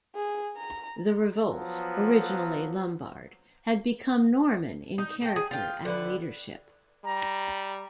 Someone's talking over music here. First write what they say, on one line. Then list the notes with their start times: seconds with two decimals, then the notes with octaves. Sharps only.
The revolt, originally Lombard, had become Norman in character and leadership.
0.16 G#4
0.57 A#5
1.47 F3 F#3 B3
4.98 D#4
5.22 A3 G5
5.36 G#4
5.51 F4 G5
5.85 D3 E4 B4
7.05 G3 A#5